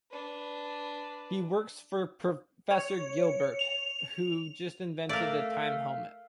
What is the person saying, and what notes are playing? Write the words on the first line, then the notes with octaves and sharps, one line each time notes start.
He works for Professor Gilbert, who has just invented a time helmet.
D4 B4
C#5
F7
A3 A#4 D5 F5